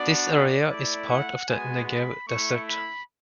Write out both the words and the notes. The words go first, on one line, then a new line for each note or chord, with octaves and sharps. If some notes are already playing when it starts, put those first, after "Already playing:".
This area is a part of the Negev desert.
Already playing: B3 D4 F#4 D5
D5
A3 E4 D5
F#5
G#3 B3 F#4 G#5
B5
A3 E4 C#6
B5